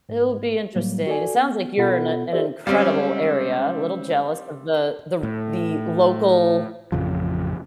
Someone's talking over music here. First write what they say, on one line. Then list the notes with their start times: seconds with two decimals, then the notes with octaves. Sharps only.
it'll be interesting. It sounds like you're in a an incredible area. A little jealous of the the the local
0.09 G#2
0.76 A2 F#3 G3 A#3
1.07 F#4 A4 D5 G#5
1.36 B3
1.77 B2 B3 F4 A4 F#5 B5
2.32 F4 G4 A4 C5 D5 E5
2.67 C#2 G3 C4 C#4 F5
5.23 A2
6.92 A1 F2 C#3 F3